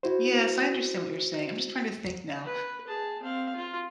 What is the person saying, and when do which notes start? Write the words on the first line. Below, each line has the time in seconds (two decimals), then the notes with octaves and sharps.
Yes, I understand what you're saying, I'm just trying to think now.
0.03 E4 F#4 C5
2.44 B4
2.88 G#4 A5
3.22 C4 F5
3.56 F4